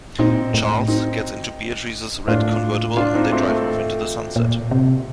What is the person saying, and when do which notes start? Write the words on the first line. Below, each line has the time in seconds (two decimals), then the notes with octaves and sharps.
Charles gets into Beatrice's red convertible and they drive off into the sunset.
0.19 A#2 C4 D#4
0.54 A2
0.88 C4 D#4
2.27 A2 D4 F4
2.97 D4 F4
3.15 C4 D#4
3.32 A3 C4
3.49 A3
4.36 A#2
4.71 C3